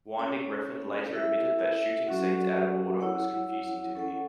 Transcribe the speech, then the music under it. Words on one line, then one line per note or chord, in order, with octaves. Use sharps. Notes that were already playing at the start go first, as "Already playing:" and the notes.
Winding Refn later admitted that shooting scenes out of order was confusing to him.
C#4 A4 C#5
E4 A4 E5
F#3 C#4 F#4 A4 F#5
E4 C#5 F#5
C#4 A4 F#5